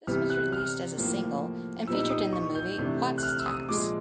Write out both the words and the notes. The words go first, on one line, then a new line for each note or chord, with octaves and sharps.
This was released as a single and featured in the movie Wattstax.
C3 E3 G3 B3 F6
F#6
F6
A2 F3 A#3
A#2 G3 B3 D#4 E6
E6
D#6
C#6
G6
C3 E3 A3 D4
F#6
F6
E6
D#6
A#2 F3 G#3 D6